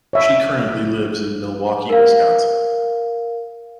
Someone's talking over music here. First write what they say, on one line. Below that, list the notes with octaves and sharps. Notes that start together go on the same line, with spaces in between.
She currently lives in Milwaukee, Wisconsin.
C#5 E5
A#4 F5